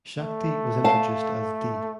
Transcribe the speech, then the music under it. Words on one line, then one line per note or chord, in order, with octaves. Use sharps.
Shakti was introduced as 'D.
A3
F5 A5